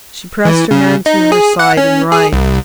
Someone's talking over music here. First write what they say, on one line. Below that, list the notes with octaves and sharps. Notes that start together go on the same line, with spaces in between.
She pressed her hand to her side and writhed.
E3
C#3
D#4
G#4
F#5
C#4
G#4
C2